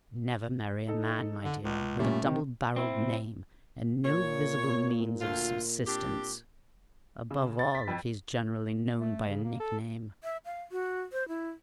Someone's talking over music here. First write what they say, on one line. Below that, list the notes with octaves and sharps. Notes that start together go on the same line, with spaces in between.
Never marry a man, my dear, with a double-barrelled name and no visible means of subsistence; above all, if he's generally known by a nickname.
D#4 A4
D3
C#2
A#2 G3 A3 C#4
C3 D#3
C4 E4
A#2 C#5
D2 F4
C4 D4 G4
C#3
A6
B6
F2
A3
C#3
A#3
A4
E5
F5
F#4
C5
E4